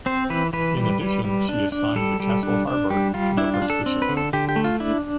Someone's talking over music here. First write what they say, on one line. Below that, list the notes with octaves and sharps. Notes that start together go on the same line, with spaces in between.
In addition she assigned the castle Harburg to the archbishop.
C4 C5
E3 B4
E3 B4
G3
G3
G3
D4
D4
G3 A4
G3
D4
D4
G3 G4
G3 F4
D4 E4
F4
D4
A4
C4
B4
D3
A4
D3 G4
G4
A3
F4
D4 E4